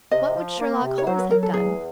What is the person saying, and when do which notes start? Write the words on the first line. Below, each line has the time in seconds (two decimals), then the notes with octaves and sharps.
What would Sherlock Holmes have done?
0.11 C3 D#5
0.36 F3
0.60 A#3
0.83 C3
0.98 C#5
1.07 F#3 C5
1.18 B4
1.30 F#3 A#4
1.43 A4
1.54 E2 G#4